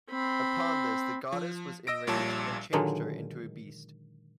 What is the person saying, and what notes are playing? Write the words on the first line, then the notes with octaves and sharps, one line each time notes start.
Upon this, the goddess was enraged and changed her into a beast.
C4 B5
F3
D#5 E6 A#6 D7
A#1 A#2 G3 C#5 A5
A#2 D3 D#3 F#3 G#3 D#4